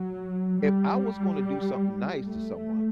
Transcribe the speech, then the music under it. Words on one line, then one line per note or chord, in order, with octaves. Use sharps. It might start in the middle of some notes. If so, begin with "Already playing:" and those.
if I was gonna do something nice to someone
Already playing: F#3
G3
A3